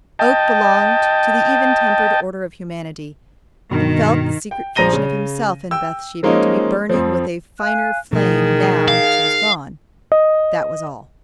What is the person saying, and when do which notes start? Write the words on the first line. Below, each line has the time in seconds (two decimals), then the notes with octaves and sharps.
Oak belonged to the even-tempered order of humanity, and felt the secret fusion of himself in Bathsheba to be burning with a finer flame now that she was gone--that was all.
0.19 D#5 G5 A5
3.71 G2 B2 D#3
4.51 G5
4.75 A#1 F3 A#5 A#6 D#7 G7
4.93 C#3
5.71 G5 E6
6.23 F3 G#3 A#3 C#4 D#4
6.89 F2 F3
7.60 F5 G#5 F#6
8.13 B2 D#3 F3 A3 G#4
8.88 F5
10.12 D#5